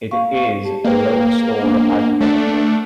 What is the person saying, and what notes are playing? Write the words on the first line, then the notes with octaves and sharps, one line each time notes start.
It is a load-store architecture.
A#3 F5 C#6
G4 A5
A#3 G#4 B4 G5
B3 D4
A3 D4 F#5